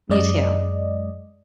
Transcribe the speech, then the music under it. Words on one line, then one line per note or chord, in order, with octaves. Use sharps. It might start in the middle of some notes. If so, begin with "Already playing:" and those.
You too.
F#2 G#3 D5 D#5